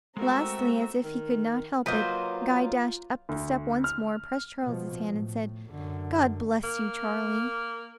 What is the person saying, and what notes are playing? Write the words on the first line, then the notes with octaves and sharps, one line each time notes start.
Lastly, as if he could not help it, Guy dashed up the step once more, pressed Charles's hand, and said, 'God bless you, Charlie!'
G#3 A3 C4 F#4 A#4 E5 A#5
D#3
F#3 A#3 F4 B4 C5 D#5
D2
F6
B2 F3
A2
F#2 D3
A#3